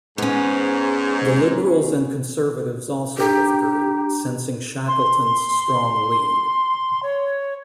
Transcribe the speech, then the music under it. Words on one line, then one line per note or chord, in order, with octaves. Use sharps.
The Liberals and Conservatives also withdrew, sensing Shackleton's strong lead.
G#2 B3 C#4
D4 G4 A#5
C6
C#5